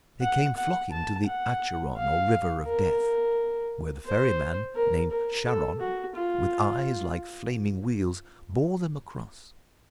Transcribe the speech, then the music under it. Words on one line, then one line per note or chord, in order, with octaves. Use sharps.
They came flocking to the Acheron or River of Death, where the ferryman named Charon, with eyes like flaming wheels, bore them across.
F#5
F#5
A5
F#5
F5
A#4
C5
A#4
A#4
A4
F#4
F4